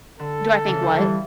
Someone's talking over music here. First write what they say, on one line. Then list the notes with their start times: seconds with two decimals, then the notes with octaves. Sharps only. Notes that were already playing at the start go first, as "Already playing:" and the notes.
Do I think what?
0.19 D3 A4
0.66 C#3 E3
0.82 D3 F3
0.98 E3 G3